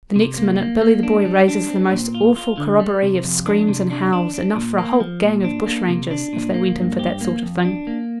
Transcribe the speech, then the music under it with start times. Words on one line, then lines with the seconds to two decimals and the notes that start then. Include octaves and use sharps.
The next minute Billy the Boy raises the most awful corroboree of screams and howls, enough for a whole gang of bush-rangers, if they went in for that sort of thing.
0.16 C3
0.38 A#3
0.60 A#3
0.81 A#3
1.03 D4
1.25 G3
1.48 D4
1.70 C4
1.92 A#2
2.14 F4
2.36 F4
2.58 D3
2.80 G3
3.03 C3
3.24 F2
3.46 D4
3.69 C3
3.90 D4
4.13 D4
4.34 D4
4.56 A#2
4.78 A#3
5.00 F3
5.22 A#2
5.44 D4
5.66 A#3
5.89 C3
6.11 D4
6.33 A#2
6.54 A#3
6.77 G2
6.99 G4
7.21 A#3
7.42 F2
7.65 D4
7.87 A#3